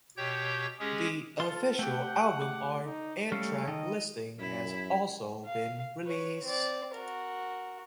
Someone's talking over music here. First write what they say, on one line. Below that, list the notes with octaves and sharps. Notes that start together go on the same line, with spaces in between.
The official album art and track listing has been also released.
B2 G4 C#5 G5 G6
G#3 C#4 G4 G#4
F4 A4 C6
A3 G4 F#5 G5
D6
D#4
G3 A3 C#4 A4 F5
D#3 D#5
F#2 E4
F5
B4 C#5
C4 D5
F#4 A#4